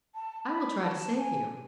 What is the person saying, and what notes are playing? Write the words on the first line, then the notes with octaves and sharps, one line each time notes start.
I will try to save you.
A5
B5
A5
G#5